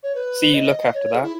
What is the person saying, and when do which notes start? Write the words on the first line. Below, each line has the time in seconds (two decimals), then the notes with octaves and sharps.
See you look after that.
0.03 C#5
0.15 B4
0.54 D#5
0.94 C#5
1.13 G#4
1.23 E4